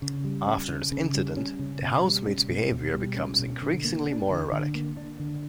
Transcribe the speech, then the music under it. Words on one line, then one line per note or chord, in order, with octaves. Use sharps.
After this incident, the housemaid's behavior becomes increasingly more erratic.
C#3
G3
C#4
C#3
C#3
G3
C#4
C#3
B2
G3
C#4
B2
B2
G3
C#4
B2
D3
A#3
D4
D3
D3
A#3
D4
D3